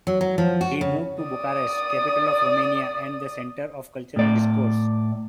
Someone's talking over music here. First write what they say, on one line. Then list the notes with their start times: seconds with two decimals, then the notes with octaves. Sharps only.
He moved to Bucharest, capital of Romania and the center of cultural discourse.
0.07 F#3
0.21 F#3
0.38 F3
0.61 F#4
0.81 C#3
1.23 D5 D#6
4.16 A2 D5